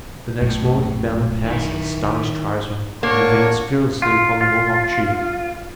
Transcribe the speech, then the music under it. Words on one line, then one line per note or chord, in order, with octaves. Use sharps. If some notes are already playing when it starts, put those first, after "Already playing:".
The next moment he bounded past his astonished tribesmen, and advanced fearlessly upon the Mohawk chief.
A#1 F#2 A2 G#3
D#3 E4
A#3 D4 F#4 C#5
F4
F4